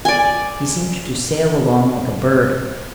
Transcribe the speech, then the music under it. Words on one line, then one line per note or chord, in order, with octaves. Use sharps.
He seemed to sail along like a bird.
D5 G#5